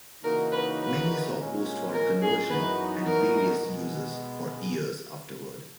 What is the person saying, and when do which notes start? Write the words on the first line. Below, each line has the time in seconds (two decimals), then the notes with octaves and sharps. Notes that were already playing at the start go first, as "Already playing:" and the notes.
Many saw postwar conversion and various uses for years afterward.
0.23 C#3 E3 A#3 D#4 F#4 A#4
0.52 B4
0.80 B4
1.36 A#2 G#3 C#4
1.94 A#4
2.22 G#4
2.49 F#2 E3 B3 D#4 F#4 B4
3.06 A#4
3.62 B2 G#3 B3